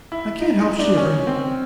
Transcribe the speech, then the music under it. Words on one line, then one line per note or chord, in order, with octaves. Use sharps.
I can't help shivering.
E4
D#4
D#4
D4
C#4
C4